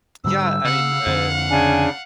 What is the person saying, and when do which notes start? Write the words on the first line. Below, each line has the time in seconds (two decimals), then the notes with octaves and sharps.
yeah, I mean, uh,
0.24 G#2 D3 G3 E6
0.64 C#3 F5 F#5
1.06 F2 D3
1.50 C#3 D4 G#5